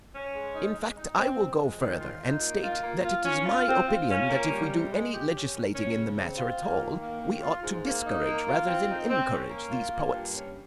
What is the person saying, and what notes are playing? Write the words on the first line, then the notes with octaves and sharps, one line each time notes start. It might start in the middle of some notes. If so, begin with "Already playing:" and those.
In fact, I will go further and state that it is my opinion that if we do any legislating in the matter at all, we ought to discourage rather than encourage these poets.
C#4
G#3
D#4
G#3
D#4
C4
F2
G#3
D#3
F4
D#4
A#3
F4
A#3
F4
C#4
F4
C4
F4
C#4
A#3
G3
C3
G#3
G4
C#4
D#3
C#4
C#3
C4
F4
A#3
D#3
A#3
D#3
F4
G#2
A#3
D#4
A#3
F4
C4
D#4
C4
C#4
A#3
F4
A#3
G2
C#4